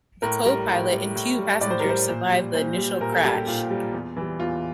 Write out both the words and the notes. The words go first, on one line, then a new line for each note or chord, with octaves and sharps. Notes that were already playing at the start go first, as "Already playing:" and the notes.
The co-pilot and two passengers survived the initial crash.
A2 A#4
G3 A#4
A2
G3
A2
G3
A2 D5
C5
A#4
G3
C5
A#2
G3
A#2 C5
G3
A#2 A#4
A4
G3 G4
G4
A#2 F4
G3
E2
E3 G3
E2 F4